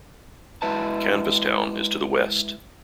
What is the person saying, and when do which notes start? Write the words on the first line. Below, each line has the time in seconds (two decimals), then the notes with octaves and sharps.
Canvastown is to the west.
0.62 G#3 E4 B4 A5